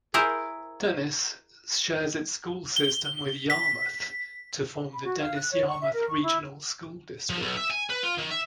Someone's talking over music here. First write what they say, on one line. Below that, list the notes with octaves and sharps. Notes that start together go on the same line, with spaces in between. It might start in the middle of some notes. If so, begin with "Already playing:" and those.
Dennis shares its school system with Yarmouth to form the Dennis-Yarmouth Regional School District.
E4 G#4 A#4 C5
G7
B6
B5
F#4
F5
F#6
C#5
C#6
E5
A#4
C#6
E4
F3
B1
E5
G#5
B4
F4
D#3
E5